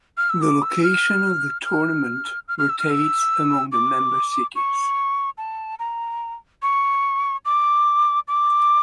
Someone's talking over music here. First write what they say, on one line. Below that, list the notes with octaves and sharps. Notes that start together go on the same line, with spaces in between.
The location of the tournament rotates among the member cities.
F6
E6
D6
E6
F6
F6
F6
F6
E6
F6
E6
D6
C#6
A5
A#5
C#6
D6
D6